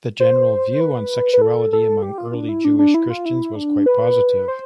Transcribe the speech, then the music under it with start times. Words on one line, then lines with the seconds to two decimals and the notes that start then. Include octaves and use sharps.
The general view on sexuality among the early Jewish Christians was quite positive.
0.20 C5
0.81 B4
1.33 B4
1.41 A4
1.73 A4
2.02 G4
2.18 F4
2.34 D4
2.49 E4
2.64 D4
2.79 D4
2.94 E4
3.10 F4
3.25 E4
3.56 D4
3.86 B4
4.48 C5